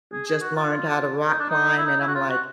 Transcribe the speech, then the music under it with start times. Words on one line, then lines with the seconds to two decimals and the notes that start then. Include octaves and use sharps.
just learned how to rock climb and I'm like,
0.12 G#4
0.27 G#4
0.41 F#4
0.55 F4
0.70 F4
1.28 D#4
1.39 D4
1.50 D#4
1.77 E4
1.86 D#4
2.00 E4
2.08 F#4
2.15 F4
2.30 F#4